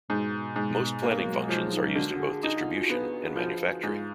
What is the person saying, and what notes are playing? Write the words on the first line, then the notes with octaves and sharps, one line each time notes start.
Most planning functions are used in both Distribution and Manufacturing.
G#2 B2
B2
G#2
B2
G#3 A#3
F#3
F#3
F3 G#3
D#4
D3 F#4
G#4
D#4 F4
F#4
B3 G#4
F#4
F3 F4
F4
G#2 F4